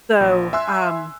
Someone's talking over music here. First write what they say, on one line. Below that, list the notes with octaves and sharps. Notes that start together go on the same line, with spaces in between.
So, um
A#1
E5 G#5 C6 E6 F#6